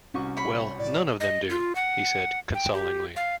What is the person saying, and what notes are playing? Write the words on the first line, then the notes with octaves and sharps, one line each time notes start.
"Well, none of them do," he said consolingly.
C2 C#4 F#4 C#6
C#5 B5
A2 D5
D#5
F4
F#5
G5
G4
F5